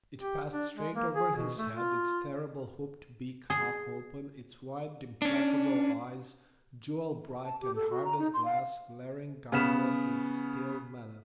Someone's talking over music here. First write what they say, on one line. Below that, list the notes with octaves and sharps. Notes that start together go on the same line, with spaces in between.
It passed straight over his head, its terrible hooked beak half open, its wide, implacable eyes, jewel-bright and hard as glass, glaring downward with still menace.
G4
D4
G#3
A#3
G#4
B2
A3
F4
G#4
C#4 D4
A5
G4
A4
F#4
A#5
D#4
C6
F5
C#3 B3 F6 B6 E7